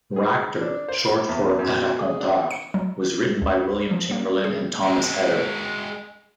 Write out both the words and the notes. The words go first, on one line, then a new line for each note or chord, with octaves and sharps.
Racter, short for "raconteur", was written by William Chamberlain and Thomas Etter.
G#4
D4
C5
B5
E2
F#2
B2
G#4
D4
C#7
F#3
D2
F3
A#3
G#4
G#3 F#4